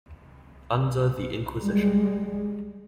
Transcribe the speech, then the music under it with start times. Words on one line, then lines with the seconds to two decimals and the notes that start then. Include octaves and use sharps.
Under the Inquisition.
1.56 G3 G#3